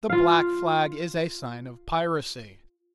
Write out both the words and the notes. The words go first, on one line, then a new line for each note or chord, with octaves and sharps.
The black flag is a sign of piracy.
F4 F5